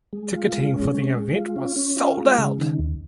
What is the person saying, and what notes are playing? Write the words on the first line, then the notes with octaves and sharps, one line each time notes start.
Ticketing for the event was sold out.
G#3
F4
G#3
C#4
G#3
G#3
F4
C#4
C#4
F4
G#3
C#3
D#3
D#2